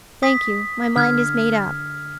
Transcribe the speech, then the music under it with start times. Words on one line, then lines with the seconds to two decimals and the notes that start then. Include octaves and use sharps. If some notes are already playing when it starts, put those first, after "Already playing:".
'Thank you, my mind is made up.'
0.23 D#6 B6
0.96 D3 F6 G#6